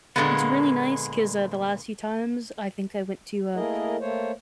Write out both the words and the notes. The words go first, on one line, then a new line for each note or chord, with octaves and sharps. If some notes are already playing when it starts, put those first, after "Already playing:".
it's really nice 'cause, uh, the last few times, I think I went to, uh,
A#2 D3 E3 G#3 A#3 B3
A3 A#3 E4 G#4 A#4 D#5
A3 A#3 C5 C#5